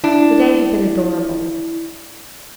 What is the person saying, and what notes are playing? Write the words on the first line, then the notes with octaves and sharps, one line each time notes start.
The day had been adorable.
D4 E4